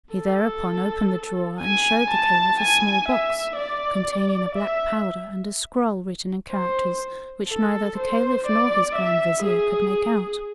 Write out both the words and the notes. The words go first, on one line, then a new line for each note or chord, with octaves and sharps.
He thereupon opened the drawer and showed the Caliph a small box, containing a black powder and a scroll written in characters which neither the Caliph nor his Grand Vizier could make out.
A4
G#5
A5
G#5
E5
D5
E5
C5
A4
C5
D5
E5
G#4